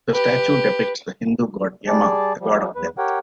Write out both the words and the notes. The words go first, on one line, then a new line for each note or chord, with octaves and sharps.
The statue depicts the Hindu god Yama, the god of death.
G4 B4
G3 G#4 D5 A5
F3 G3
E2 B4
G4 A#4 C#5 F#5 G5